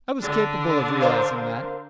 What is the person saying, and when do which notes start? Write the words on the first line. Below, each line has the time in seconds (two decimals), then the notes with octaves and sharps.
I was capable of realising that.
0.20 D3 D4
1.00 A#4 C5 F5